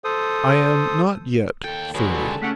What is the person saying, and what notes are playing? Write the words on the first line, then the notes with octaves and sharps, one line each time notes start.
'I am not yet thirty.'
A4 C5 D#6
D#2 A4 G5
B2 D3 F#3 G#3
D#2 C#3 G3 A4
A3 C#4 G4 E5 F#5